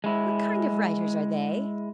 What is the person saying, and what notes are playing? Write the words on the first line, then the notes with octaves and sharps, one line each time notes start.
What kind of writers are they?'
G#3 E4